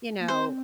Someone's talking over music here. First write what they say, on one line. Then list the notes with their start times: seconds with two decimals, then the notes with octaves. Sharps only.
you know
0.20 A#3
0.28 C4 C5